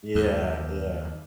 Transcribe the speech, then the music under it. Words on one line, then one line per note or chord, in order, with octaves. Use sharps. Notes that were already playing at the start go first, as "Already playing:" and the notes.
Yeah, yeah.
D#2